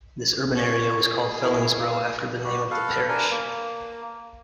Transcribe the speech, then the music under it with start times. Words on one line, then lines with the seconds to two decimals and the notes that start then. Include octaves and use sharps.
This urban area was called Fellingsbro after the name of the parish.
0.56 C#5
1.01 G#4
1.42 E4 A#4
1.78 F5
2.44 G3 F#4 G4
2.71 A4 B4 F5
3.08 D4 A#4 B4 G#5
3.30 A#3